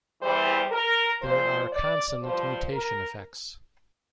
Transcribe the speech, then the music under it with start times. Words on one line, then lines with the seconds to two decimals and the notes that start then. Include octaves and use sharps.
There are consonant mutation effects.
0.21 E2 E3 G3 C5
0.71 A#4
1.22 A#2 F3 C5
1.72 D5
2.22 G2 F3 C5
2.72 A#4